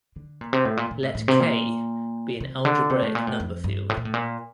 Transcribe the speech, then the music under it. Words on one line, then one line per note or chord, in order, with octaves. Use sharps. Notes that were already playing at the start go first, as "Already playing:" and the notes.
Let "K" be an algebraic number field.
D3
A#2
C3
A2
A#2
A#2
A2
A2
C3
A#2
C3
D3
C3
A2
A#2
A2
F2
G2
A2
A#2
A2
A#2